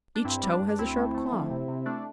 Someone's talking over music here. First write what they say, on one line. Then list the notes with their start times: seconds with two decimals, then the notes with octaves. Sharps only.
Each toe has a sharp claw.
0.15 D4
0.25 G2 C4 E4
0.43 G3
0.52 D4
0.60 G2
0.69 D4
0.78 D2 C4 E4
0.96 A3
1.14 A3
1.32 F3
1.50 C3
1.68 C3
1.86 A3 D4